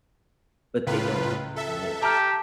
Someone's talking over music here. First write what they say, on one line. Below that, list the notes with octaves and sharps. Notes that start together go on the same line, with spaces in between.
but they don't want to commit.
C#2 A2 F4 B4
A4 E5
G4 A5 A#5 F6